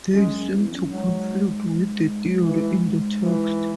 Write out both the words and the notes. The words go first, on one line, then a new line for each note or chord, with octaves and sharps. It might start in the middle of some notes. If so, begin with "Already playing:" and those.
They seem to conflict with the theory in the text.
F#2 G#3
F#2
E2
F#2
G#2 F#3
E3
E3